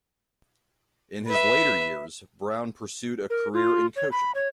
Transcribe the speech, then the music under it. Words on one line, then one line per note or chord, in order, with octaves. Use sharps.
In his later years, Brown pursued a career in coaching.
B4 E5
A#4
F4
C#5
B5
C#5